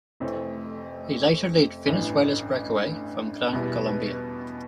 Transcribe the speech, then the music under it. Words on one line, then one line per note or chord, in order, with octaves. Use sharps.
He later led Venezuela's breakaway from Gran Colombia.
F1 F2 E3 A3 C4
A1 G2 E3
E2 B2 G3 B3 E4